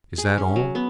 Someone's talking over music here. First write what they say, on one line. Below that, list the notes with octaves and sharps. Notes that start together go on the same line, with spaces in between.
"Is that all?"
G#4
C#4
F#3
B3